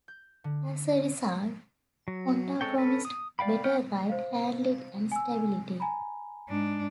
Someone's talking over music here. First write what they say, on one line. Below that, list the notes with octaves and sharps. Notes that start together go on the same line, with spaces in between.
As a result, Honda promised better ride, handling and stability.
G6
D3
F#3
G#3 C4 A4 C#5 G5
C#4 A4 B4
D#6
D5 F5 G5 B5
B3 C#4 F#5 G5 F6
C5 F5
G#5 E6
G#5 A#5 B5
G#2 D4